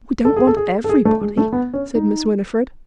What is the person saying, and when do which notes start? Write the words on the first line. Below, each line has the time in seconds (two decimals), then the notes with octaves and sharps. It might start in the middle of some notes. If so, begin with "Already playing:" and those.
"We don't want everybody," said Miss Winifred.
0.25 A4
0.36 G#4
0.47 A4
0.57 G#4
0.84 A4
0.89 G#4
1.05 A3
1.21 G#3
1.37 A3
1.52 B3
1.74 C#4
1.95 D#4